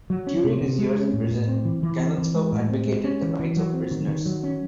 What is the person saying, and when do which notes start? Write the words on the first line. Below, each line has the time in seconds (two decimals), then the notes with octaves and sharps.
During his years in prison, Galanskov advocated the rights of prisoners.
0.10 F#3
0.27 C#4
0.44 C3
0.61 C3
0.79 G#3
0.96 C#4
1.13 A2
1.31 A2
1.48 C4
1.65 E3
1.83 E3
2.00 C4
2.18 E3
2.35 G#3
2.52 A2
2.70 C4
2.87 G#3
3.04 C#4
3.22 E3
3.40 E3
3.57 F#3
3.74 C4
3.91 D#3
4.08 D#3
4.26 F#3
4.43 C#4